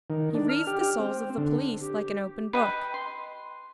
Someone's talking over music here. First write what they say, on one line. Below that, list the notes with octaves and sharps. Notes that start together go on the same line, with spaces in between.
He reads the souls of the police like an open book.
D#3
D4
F6
G4
C4
D3
G4
B4 D#5 G5
C6